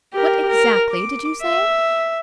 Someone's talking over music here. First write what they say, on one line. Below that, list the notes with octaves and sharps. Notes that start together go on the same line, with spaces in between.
What exactly did you say?'
G4 A#4
A#4
D6
E5